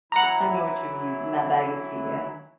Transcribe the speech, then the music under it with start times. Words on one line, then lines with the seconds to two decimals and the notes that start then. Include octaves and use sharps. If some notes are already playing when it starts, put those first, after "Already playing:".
Well, I know what you mean, in that bag of tea, yeah.
0.12 E3 F#3 E4 F#5 A#5